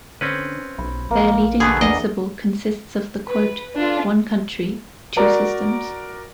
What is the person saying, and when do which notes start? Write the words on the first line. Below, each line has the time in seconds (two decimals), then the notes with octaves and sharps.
Their leading principle consists of the quote "One country, Two Systems".
0.21 D3 C4 C#4 B4
0.78 B1 B5
1.11 A#1 A#3
1.60 B2 D3 B3 G#4
1.81 E2 D4 D#5
3.26 B4
3.76 D4 F4 A4
5.16 F#4 A#4 D5